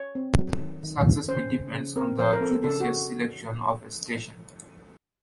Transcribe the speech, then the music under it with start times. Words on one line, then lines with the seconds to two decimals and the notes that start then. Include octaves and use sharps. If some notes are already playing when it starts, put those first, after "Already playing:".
Success mainly depends on the judicious selection of a station.
Already playing: C#5
0.15 C4
0.38 F#3
0.60 D#3
0.83 D#3
1.06 D#3
1.28 C#4 C5
1.51 C#3
1.73 C#3
1.96 C4 A#4
2.19 F3 C5
2.33 A#4
2.41 C4 A4
2.64 C#3 A4
2.80 F#4